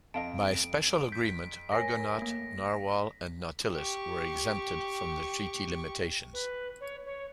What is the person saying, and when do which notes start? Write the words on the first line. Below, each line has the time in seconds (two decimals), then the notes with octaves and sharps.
By special agreement, "Argonaut", "Narwhal", and "Nautilus" were exempted from the treaty limitations.
0.14 F2 D#5 F5 A5 D7
1.12 G6 B6
1.72 A#4 C#5 G#5 A#6
2.18 A3 A#3
3.74 G4 C#6
6.33 B4
6.81 C#5
7.06 C#5